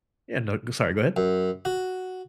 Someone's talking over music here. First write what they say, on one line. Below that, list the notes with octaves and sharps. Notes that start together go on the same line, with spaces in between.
yeah, no, g sorry, go ahead.
F#2
F#4